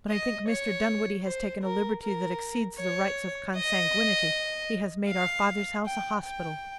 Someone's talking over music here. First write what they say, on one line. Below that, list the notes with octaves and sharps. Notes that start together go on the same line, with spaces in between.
"But I think Mr. Dunwoodie has taken a liberty that exceeds the rights of consanguinity; he has made our father's house a hospital."
D#5
C#5
C5
A#4
A#4
C#5
D#5
F5
G5
G5